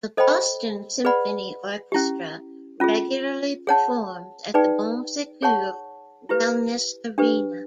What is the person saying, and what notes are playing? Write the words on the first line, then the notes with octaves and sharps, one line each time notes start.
The Boston Symphony Orchestra regularly performs at the Bon Secours Wellness Arena.
A4 C5 D#5 G5 B5
G#4 B4 D5 F#5 B5
C#4 E4 G4
C#4 F4 G#4
G#4 C#5 F#5 A5
D#4 G#4 B4 D5 G5
G#4 C#5 F#5 A5 C#6
E4 G4 B4
D4 G4 B4